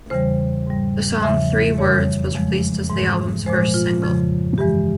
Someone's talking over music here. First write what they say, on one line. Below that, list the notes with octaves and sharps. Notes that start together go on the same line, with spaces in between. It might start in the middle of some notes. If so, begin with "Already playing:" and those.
The song "Three Words" was released as the album's first single.
E2 C#3 E3 G3 C5
G#2 G3
E2 C#3 F3 E5
F2 C#3 E3 G3 C#5
F2 C#3 F3 G#3
G#2 E3 G#3
A#2 F3 G#3 C5
F4
F2 C#3 F3
G2 E3 G#3 G4